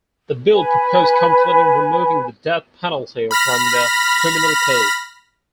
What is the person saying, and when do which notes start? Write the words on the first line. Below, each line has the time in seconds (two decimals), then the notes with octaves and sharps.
The bill proposed completing removing the death penalty from the Criminal Code.
0.55 B4 G#5 B5
3.31 B5 F6 A#6 B6